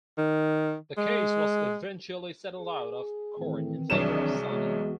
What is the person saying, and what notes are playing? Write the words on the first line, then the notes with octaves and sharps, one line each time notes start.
The case was eventually settled out of court in favor of Sony.
D#3
G#3
G#4
A2 D#3 E3 C4
C2 F#3 D4 G#4 E7
E3 G#3 B3 F#4